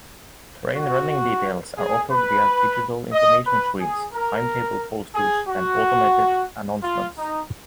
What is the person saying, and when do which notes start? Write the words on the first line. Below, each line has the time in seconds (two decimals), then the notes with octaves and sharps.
Train running details are offered via digital information screens, timetable posters and automated announcements.
0.77 F#4
1.78 G#4
2.12 B4
3.13 D#5
3.46 B4
3.80 G#4
4.14 A#4
5.14 G#4
5.48 F#4
6.83 F4
7.17 D#4